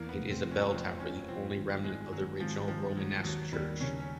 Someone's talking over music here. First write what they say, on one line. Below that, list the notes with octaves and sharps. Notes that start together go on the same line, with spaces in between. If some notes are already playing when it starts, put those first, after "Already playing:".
It is a bell tower, the only remnant of the original Romanesque church.
Already playing: E2 A#3
B3
F1
C4
F3
C#4
F3 C4
F3 C#4
F3 C4
G#1
G#2 G#3
G#1 F#3
G#1 F3
G#1 F3
G#1 F#3
F3
D#2 F#3
D#2 G3
C#3 C#4
C#4